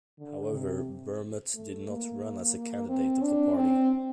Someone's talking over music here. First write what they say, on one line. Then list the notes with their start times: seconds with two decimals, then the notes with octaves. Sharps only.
However, Bermet did not run as a candidate of the party.
0.19 D3
0.52 C3
1.55 A3
1.88 A#3
2.89 C4
3.22 D4
3.57 C4